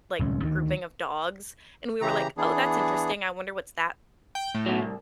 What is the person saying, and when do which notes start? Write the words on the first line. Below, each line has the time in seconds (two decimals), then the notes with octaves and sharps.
like, grouping of dogs. And we were like, "Oh, that's interesting. I wonder what's that
0.19 D1 C2 C#3 C#4
0.42 D2 D#3
2.02 C#3 E3 G4 A#5
2.37 E3 B3 D4 G#4
4.35 G5
4.54 A2
4.66 B2 F#3
4.82 C2